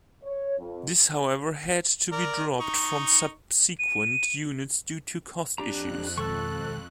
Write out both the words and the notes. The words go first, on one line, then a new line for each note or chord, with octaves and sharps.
This however had to be dropped from subsequent units due to cost issues.
C#5
F2
A#4 D5
D#4 C#6
D#7
F2 D4 G4 A#5 F#6
B2 D#3 G#3 A4 C#6 E6